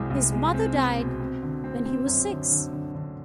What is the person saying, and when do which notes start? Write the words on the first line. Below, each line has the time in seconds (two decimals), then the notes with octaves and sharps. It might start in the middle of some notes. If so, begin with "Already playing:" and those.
His mother died when he was six.
Already playing: C2 B2 G#3 C4
0.10 C2
0.32 G#3
0.54 C4
0.76 C4
0.98 B2
1.20 C4
1.42 D3
1.64 C4
1.86 C4
2.07 F#2
2.30 D3
2.51 D3
2.73 D3
2.95 D3